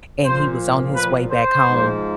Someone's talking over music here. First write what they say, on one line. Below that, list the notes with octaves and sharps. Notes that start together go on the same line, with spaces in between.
And he was on his way back home.
A#2 F3 C5
B4
C5
G#2 F3